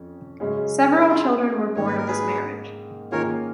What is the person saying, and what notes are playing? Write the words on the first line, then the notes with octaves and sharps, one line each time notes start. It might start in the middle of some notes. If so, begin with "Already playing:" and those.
Several children were born of this marriage.
Already playing: F2 C#4
F#2 C#3 G#3 C#4
B4
A#4
F4 G#4
G#2 D#3 A#3 D#4 C#5
B4
A#4
G#4 B4
D#3 A#3 C#4 F4 G#4 A#4 C#5